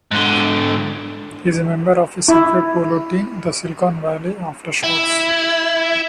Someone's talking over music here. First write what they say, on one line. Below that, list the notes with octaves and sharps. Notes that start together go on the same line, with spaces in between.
He is a member of a Segway Polo team, the "Silicon Valley Aftershocks".
G#2 D3
E4
E4